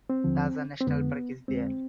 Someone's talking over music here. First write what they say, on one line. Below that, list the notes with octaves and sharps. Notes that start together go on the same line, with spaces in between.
Taza National Park is there.
C4
D#2 D3 F3
C4
F2 D3 G#3 B3
F2 D3 G#3 C4